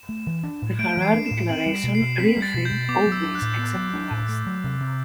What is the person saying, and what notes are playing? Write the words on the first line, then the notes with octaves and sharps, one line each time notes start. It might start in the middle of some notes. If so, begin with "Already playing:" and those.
The Harare Declaration reaffirmed all these except the last.
Already playing: E7
A3
E3
D4
A2
A3 D7
E3
C7
D4
A2 E7
C4 F#7
G3
B2
C7
B2
C4 B6
G3
A6
B2
G6
B2
B3 D6
F#3
E6
D4
F#6
A2
B3
F#3
D4
A2
A3
F#3
C3
C3